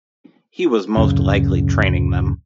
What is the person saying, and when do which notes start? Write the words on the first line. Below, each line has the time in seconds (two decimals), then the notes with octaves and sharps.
He was most likely training them.
0.97 D1 F#2 C#3